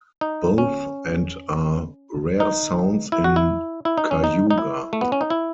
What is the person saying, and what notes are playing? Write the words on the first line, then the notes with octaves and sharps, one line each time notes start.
Both and are rare sounds in Cayuga.
D#4
C#4
D#4
E4
F#4
E4
E4
D#4
C#4
D#4
D#4
E4
A3
B3
C#4
D#4
E4